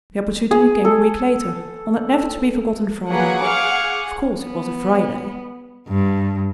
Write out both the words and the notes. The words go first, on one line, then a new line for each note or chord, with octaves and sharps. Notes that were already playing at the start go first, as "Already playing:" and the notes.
The opportunity came a week later, on that never-to-be-forgotten Friday. Of course it was a Friday.
G#4
A4
F#3 A#3 G#4 B4 F#5
F5 C#6 D6
B3
G2